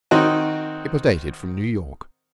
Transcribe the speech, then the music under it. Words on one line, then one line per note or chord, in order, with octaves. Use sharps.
It was dated from New York.
D#3 C4 D#4 F#4